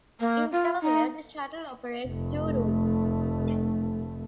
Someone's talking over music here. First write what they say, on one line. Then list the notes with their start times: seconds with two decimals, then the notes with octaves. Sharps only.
In Delaware, the shuttle operates two routes.
0.20 A#3
0.52 F4
0.82 D#4
2.08 F1 A3